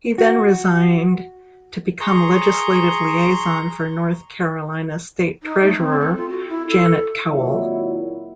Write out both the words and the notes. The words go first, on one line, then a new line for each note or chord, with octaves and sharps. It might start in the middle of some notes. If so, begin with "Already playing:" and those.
He then resigned to become legislative liaison for North Carolina State Treasurer Janet Cowell.
F#4
G#4 A#5 C6 C#6
D#4
A3
C4
A4
F4
F#4
E4
A4
G#1 A#2 D#3 F#3 E4